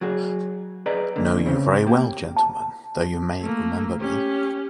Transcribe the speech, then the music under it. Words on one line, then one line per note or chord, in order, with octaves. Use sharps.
Know you very well, gentlemen, though you mayn’t remember me.
F#3 F#4 G#4
G#4 B4 D5 D#5 A#5
D3 A#3
C#3 C4 C#4
A#3 G4
A5
A3 A#3
C#4 G4